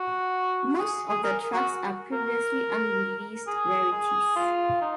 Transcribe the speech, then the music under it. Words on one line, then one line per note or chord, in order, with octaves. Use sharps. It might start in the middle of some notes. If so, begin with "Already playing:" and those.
Most of the tracks are previously unreleased rarities.
Already playing: F#4
G#4
G#4
A#4
F#4
A#4
G#4
G#4
F4
D#4